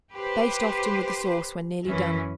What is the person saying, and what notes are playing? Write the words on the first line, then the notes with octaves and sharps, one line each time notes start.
Baste often with the sauce when nearly done.
G4 B4 C5
F#2 E3 C#4